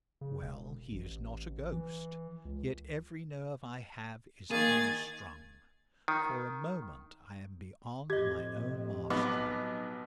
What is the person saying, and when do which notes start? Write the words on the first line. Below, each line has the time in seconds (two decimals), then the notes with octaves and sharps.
Well, he is not a ghost; yet every nerve I have is unstrung: for a moment I am beyond my own mastery.
0.21 C#3
0.41 E1
0.92 A1
1.72 E3
2.45 C#2
4.51 D#3 A#3 G#4 G#6 A6
6.08 D#3
8.10 F2 A2 G4 D#5 G#6
9.10 B1 B3 D#4 D6